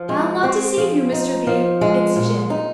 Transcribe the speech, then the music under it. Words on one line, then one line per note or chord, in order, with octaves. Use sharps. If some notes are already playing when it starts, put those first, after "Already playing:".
I'll not deceive you, Mr. B. It's gin.'
Already playing: F3
G#3
C4
F3
D#4
F3
G#3
A#2
D#4